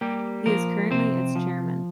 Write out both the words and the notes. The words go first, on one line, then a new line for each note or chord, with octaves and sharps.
He is currently its chairman.
G3 A#3 G4
F3 A#3 A#4
C3 C4 C5
F3